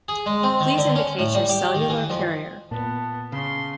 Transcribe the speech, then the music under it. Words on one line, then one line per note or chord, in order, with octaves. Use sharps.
Please indicate your cellular carrier.
G#4
G#3
C4
D#3
D3
C#4
A2
G3
G4
D#3
E3
F2
A#2 B3 A5
C#3 C#4 C6